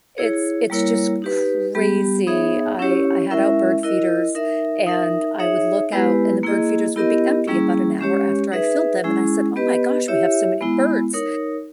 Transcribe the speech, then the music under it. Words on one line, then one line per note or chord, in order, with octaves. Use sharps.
it's it's just crazy. I I had out bird feeders and I would look out and the bird feeders would be empty about an hour after I filled them, and I said, "Oh my gosh, we have so many birds."
E4 G#4 C#5
G3 A#3 E4 A#4 C#5
D#4 G4 B4
G3 B3 G4
B3 D#4 G#4 C#5 E5
C#4 E4 G4 C#5
G#3 C#4 E4 A#4 E5
E4 A#4 D#5
D#4 A#4 E5
D#4 A#4 E5
D#4 G#4 C#5 E5
G#3 B3 E4 G4 B4
A#3 E4 G#4 D#5
B3 E4 G4 A#4 D#5
G3 A#3 C#4 E4 G#4
G#3 C#4 G4 C#5
D#4 G#4 B4 E5
G#3 C#4 E4 G#4
B3 G4 B4 D#5
E4 G4 C#5 E5
G#3 B3 E4
D#4 A#4 C#5